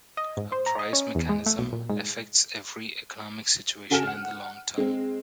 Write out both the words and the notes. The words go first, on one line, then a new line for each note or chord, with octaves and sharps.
A price mechanism affects every economic situation in the long term.
D#5
G#2
C5
A#5
D#5
C#4
E2
G#3
A3
B1
A#2
G#2
C#3 F#4 A4 G#5 F6 E7
F#5
G#3 C4